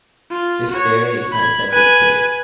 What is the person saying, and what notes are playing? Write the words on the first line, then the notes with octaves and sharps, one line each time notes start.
This theory is not accepted today.
F4
F#4 C#5
B5 G#6
B4 G#5